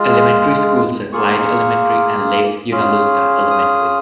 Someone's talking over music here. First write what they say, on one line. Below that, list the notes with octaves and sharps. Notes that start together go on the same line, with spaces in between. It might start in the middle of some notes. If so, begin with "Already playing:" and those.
Elementary Schools are Clyde Elementary and Lake Junaluska Elementary.
Already playing: G#3 F4 G#4
A#3 F4 G#4 C#6
C#4 F4 G#4
D#6